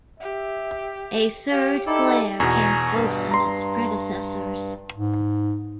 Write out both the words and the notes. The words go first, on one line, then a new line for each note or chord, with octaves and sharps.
A third glare came close on its predecessors.
G4 E5
G4 F5
D#4 E4 G4 A4 D5
E2 B2 G#5 A#5 C#6
G2
A#5 C6
G#2